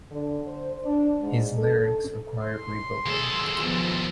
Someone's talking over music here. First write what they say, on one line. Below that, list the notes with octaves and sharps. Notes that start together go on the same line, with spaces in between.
His larynx required rebuilding.
D3
C5
D4
G#2
A4
C6
D#2 G#4 A4
F3 B3